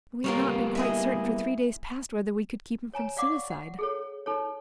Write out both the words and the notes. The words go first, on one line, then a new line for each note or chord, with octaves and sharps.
We have not been quite certain for three days past whether we could keep him from suicide.
G3 A#3 B3 F4 A#4 C#5
E4 G#4 D#5
C#5 G#5 A#5
D5 F5 F#5 C#6 D6
F#5
G#4 A4 C#5
D#4 A4 C#5